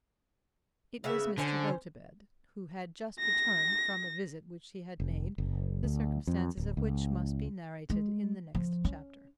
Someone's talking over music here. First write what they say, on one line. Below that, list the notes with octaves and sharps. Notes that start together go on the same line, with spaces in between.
It was Mr. Gotobed who had just returned from a visit which he had made, the circumstances of which must be narrated in the next chapter.
C#3 B3 E5
D3 F3 C#4 C5
A#6
F1
F#1
D2
F2
D1
C#2
G#3
F3
C#4